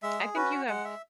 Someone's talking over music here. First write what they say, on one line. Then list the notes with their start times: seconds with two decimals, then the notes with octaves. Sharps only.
I think you have
0.03 G#3 E5
0.19 G#4
0.35 C#4 F#4 B4
0.51 F#5
0.68 G#3 F#5
0.85 E5